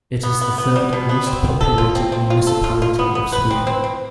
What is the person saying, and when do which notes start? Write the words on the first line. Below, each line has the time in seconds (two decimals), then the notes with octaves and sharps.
It is the third least populated municipality of Sweden.
0.23 B3
0.41 B3
0.58 B3
0.76 G3
0.93 B2
1.09 B3
1.27 C4
1.45 C4
1.61 A4
1.78 F4
1.95 C4
2.12 C4
2.30 F4
2.47 A4
2.64 F4
2.82 F4
2.99 B3
3.15 B3
3.32 B4
3.51 C4
3.67 C4
3.84 C4